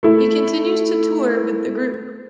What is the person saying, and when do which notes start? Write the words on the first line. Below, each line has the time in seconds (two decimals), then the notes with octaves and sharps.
He continues to tour with the group.
0.03 A3 E4